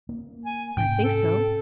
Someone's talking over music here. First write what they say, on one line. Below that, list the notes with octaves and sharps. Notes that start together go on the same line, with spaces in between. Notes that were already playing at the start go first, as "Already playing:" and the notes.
"I think so."
A#3
G#5
G#2 C3 C#4 G5
A4